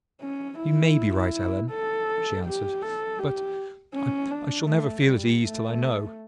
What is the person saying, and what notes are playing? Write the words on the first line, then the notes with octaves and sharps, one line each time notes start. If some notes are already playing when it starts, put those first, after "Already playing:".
'You may be right, Ellen,' she answered; 'but I shall never feel at ease till I know.
C#4
E4
A4
G4
A4
G4
C#4
D4
A3
G3
A3